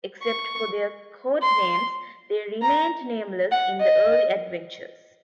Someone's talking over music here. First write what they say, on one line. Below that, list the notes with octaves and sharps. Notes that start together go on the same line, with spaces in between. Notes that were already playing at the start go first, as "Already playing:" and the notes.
Except for their codenames, they remained nameless in the early adventures.
C#6
C6
A#5
F#5
D#5